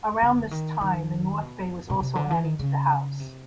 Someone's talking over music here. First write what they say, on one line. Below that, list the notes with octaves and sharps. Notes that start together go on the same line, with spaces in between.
Around this time the North Bay was also added to the house.
D3
D#3
D#3
B2
B2
C3
D3
E3
D#3
C#3
C3